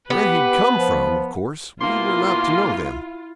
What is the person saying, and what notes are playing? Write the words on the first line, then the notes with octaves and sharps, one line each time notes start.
Where he'd come from, of course, we were not to know then.
B3 G4 B4
F3
B2 A#3 E4 F4 C6